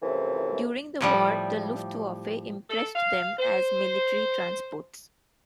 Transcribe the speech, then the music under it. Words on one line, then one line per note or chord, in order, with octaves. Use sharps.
During the war, the "Luftwaffe" impressed them as military transports.
F#2 A2 C3 E3 F3
A2 F3 G3
A4
F5
C5